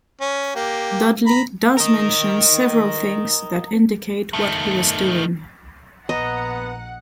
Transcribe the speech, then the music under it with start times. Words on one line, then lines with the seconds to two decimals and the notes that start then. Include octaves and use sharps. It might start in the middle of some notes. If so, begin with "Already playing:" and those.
Dudley does mention several things that indicate what he was doing.
0.21 C#4
0.56 A#3 G4
1.27 A#5 B5
1.77 A#4 D#5
4.33 D#3 A3
6.09 A#1 B3 D#5 F#5 A#5